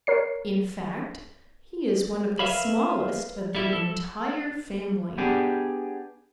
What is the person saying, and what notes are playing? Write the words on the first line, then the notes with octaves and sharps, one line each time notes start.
In fact, he is one of the smallest of the entire family.
A#4 C#5 C7
A#4 B4 C#5 E5 F5 B5
G3 E4 G4
A4
B3 D4 G4 G#4